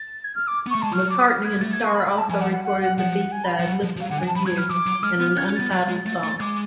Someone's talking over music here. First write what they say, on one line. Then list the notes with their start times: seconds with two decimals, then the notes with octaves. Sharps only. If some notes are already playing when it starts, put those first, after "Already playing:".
McCartney and Starr also recorded the B-side "Looking for You" and an untitled song.
Already playing: A6
0.24 G#6
0.35 F6
0.47 D6
0.67 B3
0.70 A3 C#6
0.82 G#3 A5
0.92 F#3 F6
1.10 D6
1.27 F6
1.44 G#6
1.61 A3 A6
1.73 G#6
1.84 C#6
1.95 B5
2.06 B5
2.18 A5
2.29 F3 G#5
2.41 F#5
2.52 F#5
2.64 F#5
2.82 F#5
2.98 F3 F#5
3.32 G#5
3.44 B5
3.55 F3 F#5
3.67 F#3
3.83 F3
3.96 F3
4.01 F#3 F5
4.10 D3 F#5
4.18 G#5
4.23 F3
4.27 A5
4.35 F3 B5
4.46 F#3 G#6
4.53 F3
4.58 F#3 F6
4.70 F3 D6
4.86 F#3
5.03 G#3 F6
5.20 B3
5.37 C#4 G#6
5.50 C#4
5.55 A6
5.60 B3
5.72 F#3 A6
5.89 G#3
6.06 A3 A6
6.24 A3
6.40 G#3 D6